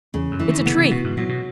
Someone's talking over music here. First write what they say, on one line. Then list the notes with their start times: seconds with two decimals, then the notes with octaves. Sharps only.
"It's a tree."
0.14 E2 C#3
0.31 F#2
0.40 E3
0.49 D#3
0.66 C#3 B3
0.78 C#3
0.91 B2 F#4
1.04 G#2
1.17 A#2 F#3
1.29 B2